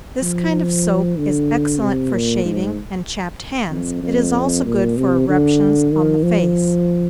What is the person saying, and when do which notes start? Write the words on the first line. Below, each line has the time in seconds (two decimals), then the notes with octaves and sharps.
This kind of soap is excellent for shaving, and chapped hands--it is also good for eruptions on the face.
0.22 F3
1.18 D3
1.80 C3
2.13 A#2
2.45 G#2
3.70 F2
4.03 F2
4.65 A#2
4.97 C3
5.29 D3
5.92 D#3
6.23 F3